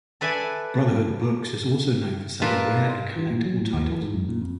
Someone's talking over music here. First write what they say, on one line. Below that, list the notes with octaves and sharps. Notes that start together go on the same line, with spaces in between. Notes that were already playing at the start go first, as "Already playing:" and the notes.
Brotherhood Books is also known for selling rare and collectible titles.
A4 B4 D5 E5 G#5
A#2 F4 A#4 B4 A5
E3
A#2
F#3
A2
D#2
E3
G#2
F#2
A#2
F2